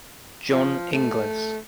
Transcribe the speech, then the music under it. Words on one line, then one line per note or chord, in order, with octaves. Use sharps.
John Inglis.
F3
A3